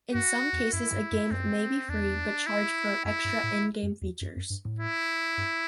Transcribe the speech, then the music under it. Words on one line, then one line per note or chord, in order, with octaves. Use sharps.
In some cases a game may be free, but charge for extra in-game features.
G2 F#4
E2
F#2 E4
G2
F#2
F#2 C4
E2 D4
E4
F#2 E4
G2
A2
F#2
E2
F#2
F#2
G2
A2
E4
G2